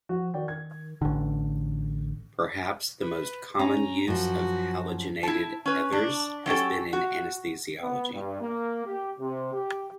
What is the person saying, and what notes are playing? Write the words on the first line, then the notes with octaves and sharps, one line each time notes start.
Perhaps the most common use of halogenated ethers has been in anesthesiology.
F3 F#4
D#3 F#4 D5 G5
G#6
A1 D3
B4
C#4 A#5
F#2 F3 F#4
E4 A5
C#4 B4
D4
F#3 C#4 G4 A4
F#4
B3
G2
A#3
G4
C3
G4